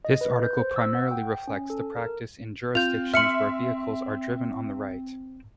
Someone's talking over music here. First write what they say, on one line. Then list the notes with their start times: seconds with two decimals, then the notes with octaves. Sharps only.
This article primarily reflects practice in jurisdictions where vehicles are driven on the right.
0.05 D#5
0.21 B4
0.43 G6
0.59 C5
0.76 E6
0.95 F#5
1.11 G5
1.48 C#4
1.70 A4
1.97 A#4
2.75 C4 F4 G6 F7
3.14 E5 C6 F6 C#7 F#7